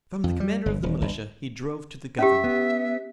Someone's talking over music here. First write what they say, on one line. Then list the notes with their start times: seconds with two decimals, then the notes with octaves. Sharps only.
From the commander of the militia he drove to the governor.
0.24 F2
0.40 G3
0.66 G1
0.83 D#1
1.01 G1
2.19 C#4 G4 E5
2.44 B3